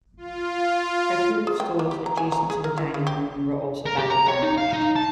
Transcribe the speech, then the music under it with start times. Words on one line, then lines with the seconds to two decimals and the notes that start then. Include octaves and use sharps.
A group of stores adjacent to the dining room were also badly damaged.
0.17 F4
0.75 F4
1.47 G#4
1.60 G5
1.79 A#3
1.91 G4
2.06 A#5
2.17 G#5
2.32 A#5
2.50 G#4
2.64 A#4
2.78 E4
2.94 C#3
3.07 G4
3.86 A#4
3.98 G4
4.10 A#5
4.28 C#5
4.42 D#4
4.58 F5
4.73 D#4
4.96 A5